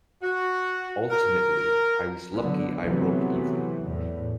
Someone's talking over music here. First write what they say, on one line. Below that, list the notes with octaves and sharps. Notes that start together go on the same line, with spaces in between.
Ultimately, I was lucky I broke even.
F#4
A#4
D3 F#3 B3
C3 E3 F#3 A3 B3
E2 A2